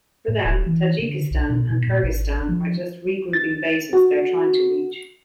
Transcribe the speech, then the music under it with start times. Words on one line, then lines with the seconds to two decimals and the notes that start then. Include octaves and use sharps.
For them, Tajikistan and Kyrgyzstan are just regrouping bases they're trying to reach.
0.28 A2
0.44 D#1
0.66 E3
0.99 D3
1.31 B1
1.49 B2
1.69 B2
1.88 A#2
2.03 G#1
2.49 F3
3.33 A6
3.93 F#4